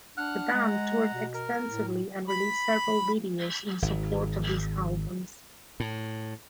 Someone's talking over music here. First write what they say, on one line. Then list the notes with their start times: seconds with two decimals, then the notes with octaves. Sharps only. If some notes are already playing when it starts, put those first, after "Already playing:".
The band toured extensively and released several videos in support of these albums.
0.17 D4 F#5 F6 F#6
0.54 G#3 F#5 A#5
1.14 B2
1.34 A#4
1.67 A2
2.28 B5
3.82 G#1
5.80 A2